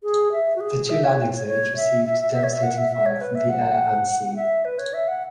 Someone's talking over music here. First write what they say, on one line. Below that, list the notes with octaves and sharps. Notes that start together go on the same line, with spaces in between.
The two landing zones received devastating fire from the air and sea.
G#4
E5
F#4
G#4
E5
C#5
C#5
C#5
E5
E5
E5
E5
C#5
E5
F#5
E5
E5
C#5
B4
E5
F#5
E5
B4
C#5
E5
F#5